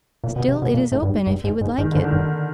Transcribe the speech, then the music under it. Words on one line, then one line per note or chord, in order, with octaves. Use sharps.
Still it is open, if you would like it.'
A#2
B2
C3
B2
A#2
A2
G2
G#2
G2
G#2
G#2
G#2 D#3
G#2 D3
D#3
G2